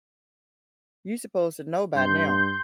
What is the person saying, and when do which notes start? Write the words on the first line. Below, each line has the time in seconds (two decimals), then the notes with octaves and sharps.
you supposed to know by now.
1.96 G2 C6 G6